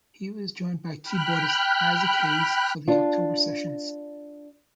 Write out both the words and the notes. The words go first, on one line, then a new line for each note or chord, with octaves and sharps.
He was joined by keyboardist Isaac Hayes for the October sessions.
G5 B5 F6 F#6
D4 F4